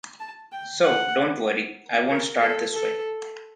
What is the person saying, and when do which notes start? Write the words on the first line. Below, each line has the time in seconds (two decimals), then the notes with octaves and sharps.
So, don’t worry, I won’t start this way.
0.20 A5
0.52 G5
0.83 F#5
2.10 A#4
2.42 A4
2.73 A4